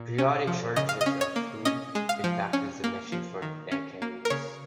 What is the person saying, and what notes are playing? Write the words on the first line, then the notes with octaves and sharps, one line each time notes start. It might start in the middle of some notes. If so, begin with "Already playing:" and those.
Periodic shortages of food impacted the mission for decades.
Already playing: A#2
C#4
F3
C#3 D#5
F5
D#5
C#4
C#5
A#3
C#4 D#5
G#3
F5
F3
C#4
A#3
F3
D#3
C#4
A#3
A#4
C#3 C#5